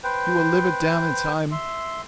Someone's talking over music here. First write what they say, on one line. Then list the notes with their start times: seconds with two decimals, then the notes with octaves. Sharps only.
You will live it down in time.
0.04 B4 C5 G5
1.52 E5 C6